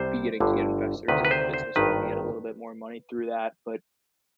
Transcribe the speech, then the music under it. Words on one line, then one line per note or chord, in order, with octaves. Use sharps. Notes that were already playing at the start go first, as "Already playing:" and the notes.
beginning to get investors of the business. I'm gonna get a little bit more money through that, but
Already playing: C2 C3 G3 C5
G1 G2 D3
D2 C3 D#3 B4
B4
C5
C5
G#1 G2 D#3 B4